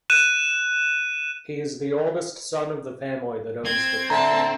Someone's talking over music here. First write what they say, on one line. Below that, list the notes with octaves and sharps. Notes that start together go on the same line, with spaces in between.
He is the oldest son of the family that owns the company.
F#6 D#7 E7
C4 G#6
D3 E5 A5 A#5